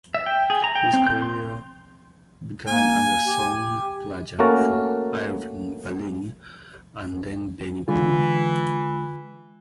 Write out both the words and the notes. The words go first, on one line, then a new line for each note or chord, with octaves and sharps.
His career began as a song plugger for Irving Berlin and then Benny Goodman.
E5
G5
G#4
A#5
G5
C4
G6
C6
A#3 G#5
G4
A3 A#3 C#4 F#4 A#4 A5
D3 E3 G#3 F4